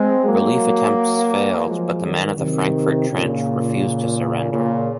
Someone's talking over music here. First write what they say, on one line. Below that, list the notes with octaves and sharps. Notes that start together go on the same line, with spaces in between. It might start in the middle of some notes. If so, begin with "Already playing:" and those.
Relief attempts failed, but the men of the Frankfurt trench refused to surrender.
Already playing: G#3 C4
F#3 A#3
F3 G#3
D#3 F#3
C3 D#3
A#2 C#3
A#2 C#3